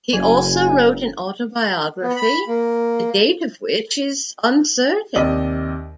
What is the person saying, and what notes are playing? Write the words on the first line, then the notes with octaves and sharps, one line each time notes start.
He also wrote an autobiography, the date of which is uncertain.
F#1 F#3 G#5
B3
B5
A#3
D#2 C3 D5 D#5 D#6